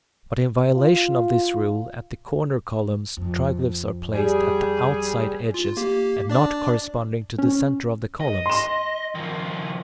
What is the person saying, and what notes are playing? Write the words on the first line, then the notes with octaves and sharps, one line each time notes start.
But in violation of this rule, at the corner columns triglyphs are placed at the outside edges and not corresponding to the centre of the columns.
F4
F2
G3 G#4
F4
A#3 G4
D4 D5 D6
C#4
D#5
C6 E7
D#3 F3